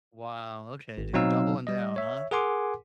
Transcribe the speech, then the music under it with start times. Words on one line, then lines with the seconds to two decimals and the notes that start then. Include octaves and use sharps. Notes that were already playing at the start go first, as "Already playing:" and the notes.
Wow, okay, dude, doubling down, huh?
0.98 G#1
1.13 B2 F#3 C4 D#4 F5 E6
1.67 G3 D#5
1.96 C#5 E5
2.31 G#4 A#4 F#5 G#5 C6 D6